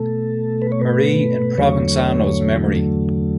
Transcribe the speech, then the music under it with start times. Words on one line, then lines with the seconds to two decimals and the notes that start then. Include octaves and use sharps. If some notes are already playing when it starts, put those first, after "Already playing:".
Marie in Provenzano's memory.
Already playing: B2 A3 A4
0.62 B4
0.72 C#5
0.82 B4
1.58 E2 D3 F#3 A3 C#5